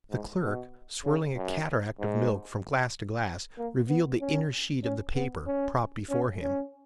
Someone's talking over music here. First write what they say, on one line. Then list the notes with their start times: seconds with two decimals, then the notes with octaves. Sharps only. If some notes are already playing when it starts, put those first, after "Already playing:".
The clerk, swirling a cataract of milk from glass to glass, revealed the inner sheet of the paper propped before him.
0.11 G#2
0.42 B2
1.05 C#3
1.36 F#2
2.00 G#2
3.58 A#3
3.89 B3
4.21 C#4
4.84 C#4
5.15 B3
5.47 C#4
6.10 C#4
6.42 C#4